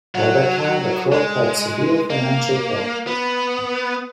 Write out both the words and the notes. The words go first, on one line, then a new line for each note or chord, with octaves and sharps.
By that time the club had severe financial problems.
F#3
G#3
A#3
B3